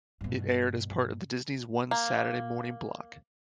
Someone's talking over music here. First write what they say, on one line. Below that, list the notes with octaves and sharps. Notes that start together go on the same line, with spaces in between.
It aired as part of the Disney's One Saturday Morning block.
G2 B2
A#3